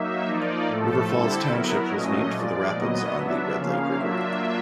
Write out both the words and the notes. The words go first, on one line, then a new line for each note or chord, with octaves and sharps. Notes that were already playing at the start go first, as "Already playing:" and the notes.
River Falls Township was named for the rapids on the Red Lake River.
Already playing: F#3 A#3 D#4 E5
F3 A#3 D#4 D5
A2 F3 A3 A4
D3 G3 C4 E4 A4
F#3 B3 E4 A#4
A#2 F#3 A3 C#4 D#5
A#2 F3 G#3 D5
A#2 F#3 B3 D#5
F#3 B3 D4 E5
C#3 F3 A#3 C#4 F5
F#3 A#3 D4 F4 E5